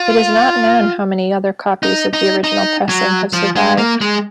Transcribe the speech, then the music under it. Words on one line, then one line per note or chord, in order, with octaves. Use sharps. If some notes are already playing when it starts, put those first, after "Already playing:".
It is not known how many other copies of the original pressing have survived.
Already playing: F4
D#4
D#4
D#4
F#3
F3
G#3
A#3
G#3